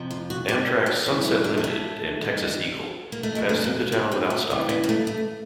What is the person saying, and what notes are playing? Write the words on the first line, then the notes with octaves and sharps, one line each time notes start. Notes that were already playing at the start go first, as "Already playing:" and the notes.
Amtrak's "Sunset Limited" and "Texas Eagle" pass through the town without stopping.
Already playing: F2 C3 F3
F4
F#4
G4
G4
F2 C#3 E3 G3 F#4
E4
D4
A#3
A3
G2 D#3 G3
A#3
A3
F2 C#3 F#3 G#3
A3
A#3
C4
C4
A3
F2 C#3 E3 G3
B3
A#3
A3
A3